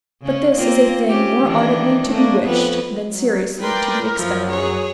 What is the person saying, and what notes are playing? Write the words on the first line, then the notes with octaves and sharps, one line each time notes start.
But this is a thing more ardently to be wished than seriously to be expected.
C#3 C#4
A#3 C4 F4
C4 C#4 G4
D#3 E3 D4
A3 A#3 D4
F2 B3 B4
F#3
A#4 B4 D5 G5 C6
F#2 F3 F#3 E4
G#4 C#5